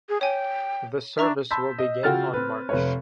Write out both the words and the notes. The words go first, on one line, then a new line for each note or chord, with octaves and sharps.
The service will begin on March.
G#4
C#5 G5 G#5
D4 E5 A#5 C#6
A5 B5 C6 E6 G6 B6
D#5
C#3 F4 F#4 G5 F6 A6
C4 B4
F1 B4 C#5